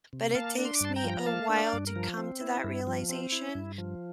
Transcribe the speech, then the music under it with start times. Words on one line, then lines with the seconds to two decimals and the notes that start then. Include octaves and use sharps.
but it takes me a while to come to that realization.
0.13 C3
0.35 A#3 F5 A5
0.59 D4
0.65 C6
0.75 D6
0.81 G2 A5 C6
0.96 G5 A#5
1.04 F3
1.17 A#5
1.26 A#3 F5 A5
1.49 D4
1.56 D5 F5
1.73 G2
1.87 A#4
1.96 F3
2.18 C4
2.41 E4
2.64 G2
2.87 F3
3.09 C4
3.32 E4
3.55 G2
3.78 F3